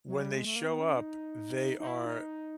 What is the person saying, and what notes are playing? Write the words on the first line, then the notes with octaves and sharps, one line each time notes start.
w when they show up, they are
F#3
G3
G#3
A3
A#3
C4
B3
C#4
D#4
D#4
E4
D#4